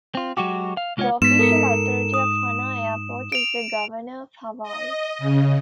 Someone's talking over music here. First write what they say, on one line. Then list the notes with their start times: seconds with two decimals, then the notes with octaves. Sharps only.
The official authority of Hana Airport is the Governor of Hawaii.
0.15 C4 F4
0.37 F#3 G#3 F#4 G4
0.77 F5
0.97 C2 G#3 F4 C5 C#5 F#5
1.22 G#2 B3 B6 E7
1.39 A4 A#4 C#7
2.14 D#6
3.32 D7 F7
4.63 D#5
5.19 C#3